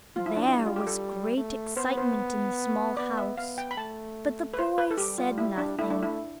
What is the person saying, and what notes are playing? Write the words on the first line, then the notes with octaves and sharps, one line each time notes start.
There was great excitement in the small house, but the boys said nothing.
F3 F4
E4
D4
E4
G3
F4
G4
A4
A3
B3 C5
C5
B3 D5
E5
B3 F5
G5
B5
A3 A5
B4
C5
B4
A4
G3 G4
F4
E4
D4
A3 E4
D4
E4